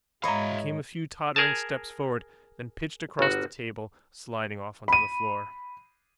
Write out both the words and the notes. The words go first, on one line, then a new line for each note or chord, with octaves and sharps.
He came a few tottering steps forward, then pitched across the table, sliding off onto the floor.
G#2 G#3 E4 C#5 D#5 F5 A#5 B5
G#4 A#4 G#5 A5
G1 F#4
B5 D#7